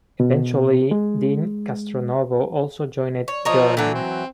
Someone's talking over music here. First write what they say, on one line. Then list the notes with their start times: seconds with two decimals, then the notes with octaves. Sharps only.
Eventually, Deen Castronovo also joined Journey.
0.20 B2
0.91 G#3
3.28 C#5
3.45 F3 A#4 C#5 D#5
3.77 D3 E3 F#3
3.95 C4